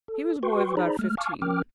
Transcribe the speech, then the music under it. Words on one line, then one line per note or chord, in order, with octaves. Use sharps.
He was a boy of about fifteen.
A4
F#4 B4 G5 C6 C#6
D#4 G#4 C5 D5 A#5 B5
G#3 A3 F6
F5 G#5 A5 C#6 D6 F6
F3 C#4 A#4 G5 D6 F6